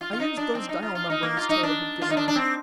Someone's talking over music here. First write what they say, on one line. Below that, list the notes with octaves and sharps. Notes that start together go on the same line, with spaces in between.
I used those dial numberings Tode had given me.
F4
F4
D#4
D4
C4
D#4
F4
F4
D#4
A#3
F4
D#4
D4
F4
D#4
D4
D4
C4